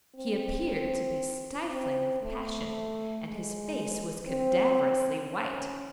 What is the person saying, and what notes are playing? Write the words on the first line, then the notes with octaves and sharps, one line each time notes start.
He appeared to be stifling with passion, and his face was cadaverously white.
C4
C4
A3
G#3
C4
C#4